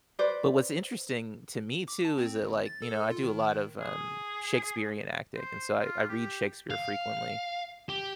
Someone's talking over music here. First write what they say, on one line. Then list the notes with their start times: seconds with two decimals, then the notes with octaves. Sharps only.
But what's interesting to me, too, is that, like, you know, I do a lot of, um, Shakespearean acting and so I I read Shakespeare frequently,
0.19 B4 C5 D5
1.88 D6
2.05 A5
2.18 C4
2.42 G1
2.66 A6
2.82 A4
3.11 F4
3.23 D#3
3.40 D#3
3.80 G#4
5.35 C5
5.80 F4
6.09 G4
6.70 F5
7.89 G4